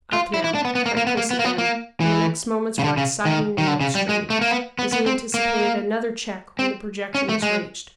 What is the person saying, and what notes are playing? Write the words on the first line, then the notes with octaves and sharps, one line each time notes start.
"Up now," cried Chris again, and the next moments were exciting in the extreme, as he anticipated another check when the projection was reached.
F4
E4
E4
D4
B3
B3
A#3
A#3
B3
A#3
B3
A#3
B3
A#3
E3
C#3
D3
C#3
D#3
D#3
D3
C#3
G3
G#3
A3
A#3
B3
B3
B3
C4
A#3
C4
C#4
A3
G#3